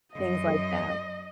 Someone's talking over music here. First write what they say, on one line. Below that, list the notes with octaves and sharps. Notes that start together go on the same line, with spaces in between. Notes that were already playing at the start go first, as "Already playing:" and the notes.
things like that.
F#2 D#5